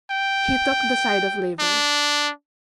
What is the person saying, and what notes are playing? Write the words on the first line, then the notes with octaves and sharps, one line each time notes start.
He took the side of labor.
G5
D4